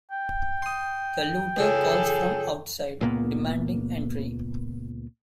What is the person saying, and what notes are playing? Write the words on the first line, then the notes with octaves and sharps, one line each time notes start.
The looter calls from outside, demanding entry.
G5
C6 D#6
C#2 C#3 G#4 A4
C#2 A#2 A#3 B3